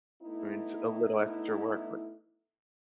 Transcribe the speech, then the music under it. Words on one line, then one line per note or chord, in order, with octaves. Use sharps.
I mean, it's a little extra work, but
A3 B3 D#4 E4